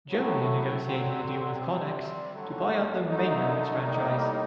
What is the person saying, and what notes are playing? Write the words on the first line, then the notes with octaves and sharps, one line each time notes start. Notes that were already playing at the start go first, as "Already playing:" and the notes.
Govia negotiated a deal with Connex to buy out the remainder of its franchise.
A2 F#3 A3
D3 F#3 C4
C3 G3 C4
D#2 D3 F#3 A3
F#2 D3 A3 D#4
A2 G3 A#3 D#4